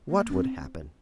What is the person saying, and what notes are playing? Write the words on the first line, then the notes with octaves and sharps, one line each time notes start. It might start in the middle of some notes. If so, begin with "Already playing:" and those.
"What would happen?"
A#3
D4
C4